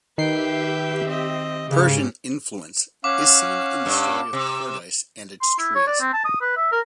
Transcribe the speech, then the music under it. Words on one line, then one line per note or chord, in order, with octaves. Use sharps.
Persian influence is seen in the story of Paradise and its trees.
D#3 G4 B4 E5 G5 C7
C4 D#5
G#2 C#3 C#4 G4
C#4 F5 F#5 D6
G2
C3
C6
E4
C#5
D5
C4
A5
D#6
B4
E5
A#4